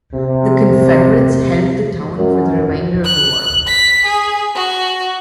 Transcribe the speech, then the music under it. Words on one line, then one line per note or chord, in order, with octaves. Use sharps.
The Confederates held the town for the remainder of the war.
C3
F#2
F#6
B6
G#4
F#4